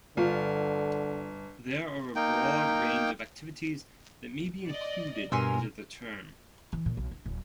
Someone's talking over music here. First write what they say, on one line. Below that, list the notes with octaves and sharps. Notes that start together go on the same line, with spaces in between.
There are a broad range of activities that may be included under the term.
G1 D3 F4
A#3 D#4 G5
D5 D#5
G2 B2 A#4 G#5 C6 E6
E3
A#2
B1
D4
D1